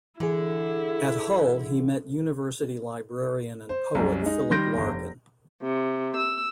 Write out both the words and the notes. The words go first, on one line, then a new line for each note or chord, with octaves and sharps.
At Hull he met university librarian and poet Philip Larkin.
D3 E3 E4 G#4
C5
C2 F#2
G#3 D#4
D#3 G3 C6 G6 A#6 D7
G1 E2
F1
C3
E6